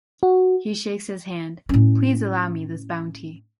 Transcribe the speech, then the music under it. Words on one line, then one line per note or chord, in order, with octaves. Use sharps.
He shakes his hand. Please allow me this bounty.
F#4
A2 C#4